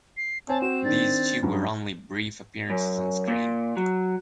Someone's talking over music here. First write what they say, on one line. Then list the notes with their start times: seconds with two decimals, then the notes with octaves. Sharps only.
These two were only brief appearances on screen.
0.17 C7
0.49 C4 C#5 G#5 A5
0.62 F#4 C5 E7
0.85 D#3 D4 A6
1.43 G2 F#3 C#4
2.70 F#2
3.28 A#2
3.77 F#3